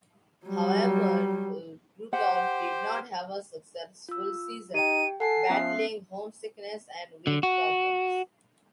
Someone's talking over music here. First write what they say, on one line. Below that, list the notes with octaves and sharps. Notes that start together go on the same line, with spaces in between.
However, Krutov did not have a successful season, battling homesickness and weight problems.
F#3 G3
G4 C5 F#5
F4 E6
D#4 G4 G5 D#7
A4 F#5 G#5 A5 C7
F3 B3 C#4 E5
D3
F#4